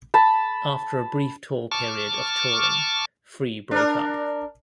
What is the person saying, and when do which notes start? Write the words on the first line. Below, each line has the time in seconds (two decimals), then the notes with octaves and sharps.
After a brief tour period of touring Free broke up.
0.14 A5 B5
1.72 A5 C#6 D6 F6
3.71 D4 A#4